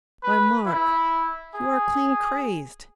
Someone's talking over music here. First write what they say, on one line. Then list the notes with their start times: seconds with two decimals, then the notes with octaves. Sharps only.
"Why, Mark, you are clean crazed!"
0.23 B4
0.66 E4
1.55 G#4